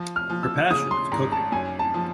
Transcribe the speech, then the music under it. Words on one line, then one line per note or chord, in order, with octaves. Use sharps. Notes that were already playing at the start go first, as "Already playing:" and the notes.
Her passion is cooking.
Already playing: F3
F6
F3
E6
C#3 D#6
C6
G#1 A#5
A5
F#2 G#5
A5
F3